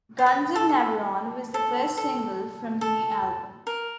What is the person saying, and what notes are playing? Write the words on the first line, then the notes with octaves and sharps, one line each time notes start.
"Guns of Navarone" was the first single from the new album.
C5
B4
A4
A4
A4
A4
A4
A#4